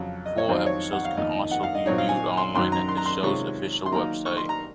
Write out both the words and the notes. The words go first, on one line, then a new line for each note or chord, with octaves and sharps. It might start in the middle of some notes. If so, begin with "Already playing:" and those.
Full episodes can also be viewed online at the show's official website.
Already playing: F2 C#3 F#3
D#5
C#5
F2 D#3 F#3 C4 D#4 C5
C#5
F#5
F5
F2 D#3 A#3 D#4 D#5
F#5
F5
D#5
A#2 F#3 C4 D#4 C#5
F5
G#5
C6
F#2 D#3 F#3 C6
A#5
C6
A#5
C6
C3 D#3 G#3 C#4 F4 C#6
C6
D#3 F#3 A#3 D#4 A#5
C#6
C6
A#5